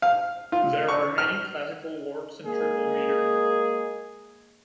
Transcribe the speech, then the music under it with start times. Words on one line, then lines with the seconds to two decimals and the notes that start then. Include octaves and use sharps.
There are many classical works in triple metre.
0.02 F5
0.52 F4
0.88 C#6
1.18 F6
2.46 G#3 A#3 G#4